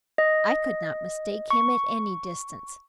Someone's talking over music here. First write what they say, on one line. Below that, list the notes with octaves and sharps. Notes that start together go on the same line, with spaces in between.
I could not mistake him at any distance.
D#5
C#6